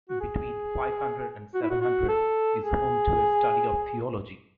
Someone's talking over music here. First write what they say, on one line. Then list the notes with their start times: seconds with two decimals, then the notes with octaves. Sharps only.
Between five hundred and seven hundred is home to a study of Theology.
0.09 F#4
0.20 G#4
1.54 F#4
1.62 E4
1.71 F#4
1.81 F#4
2.09 A4
2.62 G#4